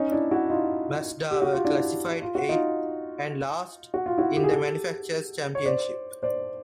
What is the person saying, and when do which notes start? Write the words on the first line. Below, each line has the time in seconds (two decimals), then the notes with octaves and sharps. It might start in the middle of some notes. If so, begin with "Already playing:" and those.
Mazda were classified eighth, and last, in the manufacturer's championship.
Already playing: C#4 D#4
0.12 D4 E4
0.31 E4 F#4
0.50 D#4 F4
1.31 G4
1.42 F#4
1.53 F4
1.65 D4 E4
2.22 F4
2.35 F#4
2.49 D#4 F4
3.94 F#4
4.06 F4
4.18 E4 F#4
4.37 G4
4.44 G#4
4.51 G4 A4
5.55 C#5
5.66 C5 D5
6.23 C5 D5